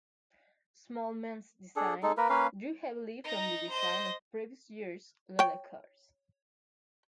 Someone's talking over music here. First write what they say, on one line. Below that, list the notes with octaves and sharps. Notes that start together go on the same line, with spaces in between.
Smallman's design drew heavily from the design of previous year's Lola cars.
D4 G#4 A4
G#3 D#4 A4
A#3 A#4 B4
A#3 C#4 B4 F5
D#4 A#5
C5 D#5
C#5 G5